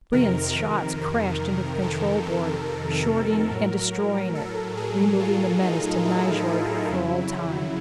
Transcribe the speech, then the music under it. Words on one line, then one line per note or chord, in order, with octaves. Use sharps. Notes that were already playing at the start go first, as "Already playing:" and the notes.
Brion's shots crashed into the control board, shorting and destroying it, removing the menace to Nyjord for all time.
F2 C3 D#3 A#4
A4
A4
A#4
A2 F#3
A4
G#4
F4
D#4
E4
E4
F2 C#3 F#3